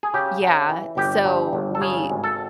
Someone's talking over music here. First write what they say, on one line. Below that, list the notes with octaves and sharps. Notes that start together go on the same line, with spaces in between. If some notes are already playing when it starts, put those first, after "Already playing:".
yeah, so we
G#4
C#3 G4
C#3
E3
G1 G4
G2
G1
A4
C#3 G#4
G#1
A4